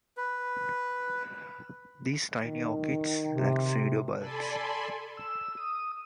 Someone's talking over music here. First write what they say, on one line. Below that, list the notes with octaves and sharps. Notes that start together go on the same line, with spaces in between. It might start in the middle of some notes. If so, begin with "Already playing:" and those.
These tiny orchids lack pseudobulbs.
B4
D#3
C3
A4 D5 G#5 A5 B5 C6
E6
D#6